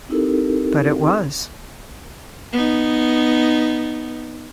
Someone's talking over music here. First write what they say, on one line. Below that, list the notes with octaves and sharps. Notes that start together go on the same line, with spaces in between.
But it was.
C4 D#4 E4 G4 A4 A#4
B3 D#4